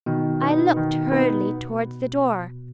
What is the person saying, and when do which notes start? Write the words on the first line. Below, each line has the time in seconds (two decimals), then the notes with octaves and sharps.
I looked hurriedly towards the door.
0.06 B2 D#3
0.42 B3 D#4
0.76 D#3
1.12 B3 D#4